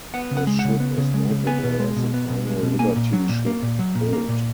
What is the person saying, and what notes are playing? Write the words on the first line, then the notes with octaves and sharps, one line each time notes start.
The ship is notable as the final liberty ship built.
B3 F#5
C#3
F#5
G#3
F#5
C#3
B3
C#3
G#3
C#3
B3 G#5
B2
G#3
B2
B3
B2
G#3
B2
A#3 G#5
A#2
F#3
A#2
A#3
A#2
F#3
A#2
A#3
A#2